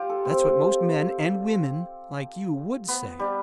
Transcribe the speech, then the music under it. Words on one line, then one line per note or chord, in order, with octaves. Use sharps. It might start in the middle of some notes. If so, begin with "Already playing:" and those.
That's what most men--and women--like you WOULD say.
Already playing: F4 G4
A4
C4
B3
G3